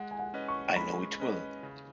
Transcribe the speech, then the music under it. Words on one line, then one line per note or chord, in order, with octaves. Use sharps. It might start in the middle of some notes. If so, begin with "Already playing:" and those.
I know it will.
Already playing: G#3 F#5
G#5
F#5
C#4 B4 D#5
C#6
G#3 B5
C#4 B4 D#5
C#3